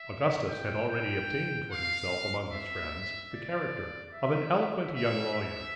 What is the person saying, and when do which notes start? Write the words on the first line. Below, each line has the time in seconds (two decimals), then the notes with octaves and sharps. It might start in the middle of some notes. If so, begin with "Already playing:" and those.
Augustus had already obtained for himself among his friends the character of an eloquent young lawyer.
Already playing: E5
0.49 G5
0.89 G5
1.71 F5
2.52 E5
3.33 D5
4.13 E5
4.94 E5
5.35 E5